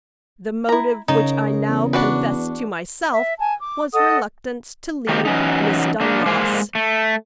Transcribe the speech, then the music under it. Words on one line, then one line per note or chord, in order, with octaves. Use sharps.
The motive which I now confessed to myself was reluctance to leave Miss Dunross.
E4 A#5
C#3 D#4 A#4
E2
D4 F#4 B4
E5
G#5 A5
D6
A4 D#5 F#5 D#6
D#3 A#3 C4 F#4 G4
E3 F#3 C#4 D#4
A#3 D4
G#3 A#3 C5
A3